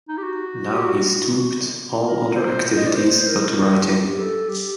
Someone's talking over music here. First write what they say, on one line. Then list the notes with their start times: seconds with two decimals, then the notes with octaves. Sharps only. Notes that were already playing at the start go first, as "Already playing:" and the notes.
Now he stooped all other activities but writing.
0.09 D#4
0.17 G4
0.23 F#4
0.73 G4
0.85 F#4
2.06 A#4
2.36 C5
2.77 D#5
2.87 D5
2.92 A#4
2.96 C5
3.21 C5
3.27 A#4
3.88 G4
4.18 A4
4.49 G4